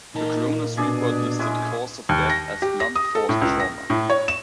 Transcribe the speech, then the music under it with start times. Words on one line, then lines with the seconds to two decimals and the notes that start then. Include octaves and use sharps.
The coroner's report listed cause of death as blunt force trauma.
0.15 A#2 D#4 A#4 A5 A#5
0.77 B2 D4 G#4 D5 E5
1.39 G#3 C#4 E4
2.09 D#2
2.30 A#6
2.62 G4
2.80 A#6
2.96 D#6
3.15 A4
3.29 A2
3.42 C#2
3.60 A#6
3.90 A2
4.10 C#5
4.28 E7